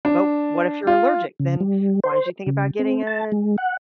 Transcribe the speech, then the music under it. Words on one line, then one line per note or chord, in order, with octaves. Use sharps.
but what if you're allergic, then why don't you think about getting a
D4
F4
C#3
G3
C5
C#3
C4
A5
G#3
F#5